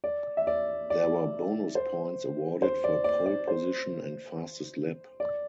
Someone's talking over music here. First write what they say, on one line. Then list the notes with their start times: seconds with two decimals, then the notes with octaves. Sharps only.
There were bonus points awarded for Pole Position and Fastest Lap.
0.04 D5
0.37 E5
0.47 D5
0.90 D5
1.75 C5
2.62 C5
2.84 D5
3.04 D5
3.26 D5
3.48 C5
5.20 D5